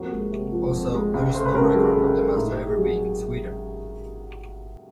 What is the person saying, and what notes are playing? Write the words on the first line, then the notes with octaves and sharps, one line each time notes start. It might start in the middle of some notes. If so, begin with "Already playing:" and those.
Also, there is no record of the Master ever being in Sweden.
Already playing: F2 A#3 F#4
G#3
C3
F3
F2
G#3
C#2
A3 C5
B4
C#3 A#4
A4
F#3 G#4
A4
C#2
A#4
A3 A4
A2 D#4
G4
A2
G#4
F#3